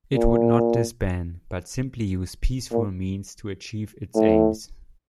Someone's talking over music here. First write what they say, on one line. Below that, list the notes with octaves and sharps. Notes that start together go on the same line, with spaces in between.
It would not disband, but simply use peaceful means to achieve its aims.
A#2
A#2
A2